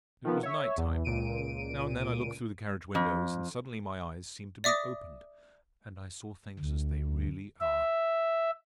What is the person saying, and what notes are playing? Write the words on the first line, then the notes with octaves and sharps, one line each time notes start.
It was night-time. Now and then I looked through the carriage windows, and suddenly my eyes seemed to be opened, and I saw things as they really are.
D#3 F3 B3
C#5 E5
E2
C#2 A#2 D7 D#7
F2
D5 E5 D6 D#6 A#6
D2
E5